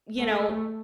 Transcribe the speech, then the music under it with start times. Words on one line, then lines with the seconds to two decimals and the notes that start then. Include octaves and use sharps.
you know,
0.19 A3